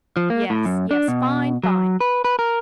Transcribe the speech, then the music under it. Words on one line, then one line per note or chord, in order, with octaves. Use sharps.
Yes, yes--fine, fine.
F3
A#3
A2
F#2
D4
B2
F#3
B4
B4
A#4